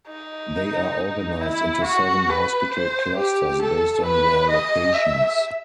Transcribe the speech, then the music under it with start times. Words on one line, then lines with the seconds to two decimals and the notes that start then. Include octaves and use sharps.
They are organised into seven hospital clusters based on their locations.
0.08 D#4
1.41 E4
1.85 F#4
2.30 B4
2.73 C5
3.18 G4
3.62 A4
4.06 B4
4.51 D#5
4.94 E5